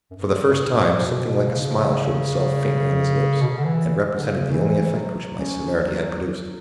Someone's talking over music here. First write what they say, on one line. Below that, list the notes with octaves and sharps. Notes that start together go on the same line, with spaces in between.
For the first time, something like a smile showed itself faintly on his lips--and represented the only effect which my severity had produced.
F#2
G2
A2
B2
C#3
B2
C#3
D3
E3
D3
C#3
E3
F#3
C#4
E3
F#3